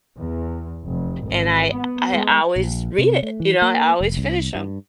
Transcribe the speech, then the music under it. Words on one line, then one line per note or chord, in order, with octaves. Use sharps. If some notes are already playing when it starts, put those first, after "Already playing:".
and I I always read it, you know? I always finish 'em.
E2
F1
G#1
B3
G#3
A#1
C3
A3
E3
A#3
F1
C2
G2